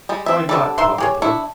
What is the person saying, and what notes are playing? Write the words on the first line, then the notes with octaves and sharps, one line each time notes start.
"Why not probable?"
G3 G#3
C4 E5
D3 G3 A4 D5
D#4 E5 C6
G4 G#4 C#5
D4 E4 C#6